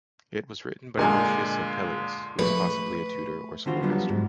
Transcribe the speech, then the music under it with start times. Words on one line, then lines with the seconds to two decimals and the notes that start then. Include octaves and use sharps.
It was written by Lucius Ampelius, who was possibly a tutor or schoolmaster.
0.97 A#2 D3 G#3 A#4 G#5
2.39 A#1 A3 B4 C#6
3.66 D3 E3 D4 F4 F#4 C5
3.83 F#3 G3 B3 D4 F4
4.09 G#2 G#3